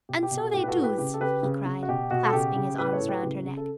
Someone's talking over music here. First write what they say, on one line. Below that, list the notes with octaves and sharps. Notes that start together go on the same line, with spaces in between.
"And so they doos!" he cried, clasping his arms round her neck.
B2 G4
G4
B2
F#4 A4
A2 G4
B4
F#4 A4
A2
G4 B4
C#3 G4
A4
C#3 G4 B4
C#3
C#3
F#4
B2 G4
B2 F#4
A4
C#3 G4
C#3
A2 G4 B4
A4 C#5
A2
G4 B4
C#3
C#3
A4